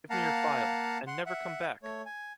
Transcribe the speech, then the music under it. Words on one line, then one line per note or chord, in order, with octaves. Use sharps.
Give me your phial...and never come back!
A#3 F5 F#5 A5 A#5
F#5 C6
E5 F#5
A3 C#5
G#5